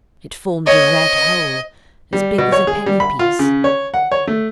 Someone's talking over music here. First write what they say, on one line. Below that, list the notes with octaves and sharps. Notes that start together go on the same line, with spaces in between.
It formed a red hole, as big as a penny piece.
C#5 D#5
G3
B2
C#5
G#4
G3
B5
F4
C#3
C#5
F#5
C#5
A3